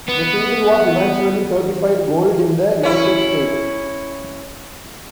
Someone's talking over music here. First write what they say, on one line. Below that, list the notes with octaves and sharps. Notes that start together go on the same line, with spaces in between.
The single was eventually certified gold in the United States.
B3
C#4 E4